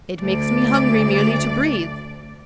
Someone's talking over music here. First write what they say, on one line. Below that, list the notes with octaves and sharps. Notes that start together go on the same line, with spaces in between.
It makes me hungry merely to breathe.
D2 D5